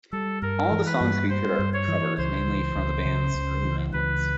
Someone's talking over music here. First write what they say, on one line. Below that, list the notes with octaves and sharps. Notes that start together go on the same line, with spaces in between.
All of the songs featured are covers mainly from the band's early albums.
G3 A4
G2 A#4
E3
B4
G2
G3 C5
G2
C#5
E3
C#2 C5
E3
C#2
C#3
C#2
E3
C#2 B4